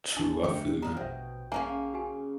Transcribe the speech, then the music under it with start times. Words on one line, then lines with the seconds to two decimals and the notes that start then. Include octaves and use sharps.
True. I feel it
0.13 G1 D4 D#5 A5
0.44 D2 G4 E5 C#7
0.82 F2 A#2 G#3 F4 A#5 F6
0.97 A#1 B2 C5 E5 G5
1.52 C#3 A#3 C#4 E5 F5 G#5
1.94 F#4 G4 G#5